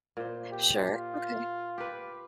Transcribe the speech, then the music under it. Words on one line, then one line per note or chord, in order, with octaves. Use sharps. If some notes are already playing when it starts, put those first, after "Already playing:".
Sure, okay.
A#2 C5
G4
F4
G4 B4